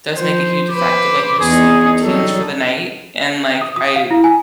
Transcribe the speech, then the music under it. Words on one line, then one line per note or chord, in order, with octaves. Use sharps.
does make a huge effect of, like, your sleep routines for the night, and, like, I
F3 C5
B4 C5 D6
E2 B3 D#4 G#4
F#3 G3 D#4 A4
D#6
D#6
F5
E4
G#5